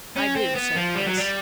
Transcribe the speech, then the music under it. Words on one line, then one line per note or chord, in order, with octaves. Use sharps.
"I do," said Chris.
C#4
C4
B3
F3
G3
F#3
G3